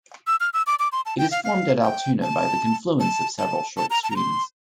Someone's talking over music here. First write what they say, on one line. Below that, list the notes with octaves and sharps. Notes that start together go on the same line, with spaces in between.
It is formed at Altoona by the confluence of several short streams.
E6
F6
E6
D6
D6
C6
A5
G5
F5
F5
G5
A5
A5
A5
A5
A#5
A5
A#5
C6